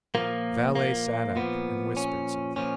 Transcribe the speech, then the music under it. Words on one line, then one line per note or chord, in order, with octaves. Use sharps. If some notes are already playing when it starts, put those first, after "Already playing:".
The valet sat up and whispered something.
A#2 F3 A#3
A#3
A#2 F3 B3
C#4
A#2 F3 C#4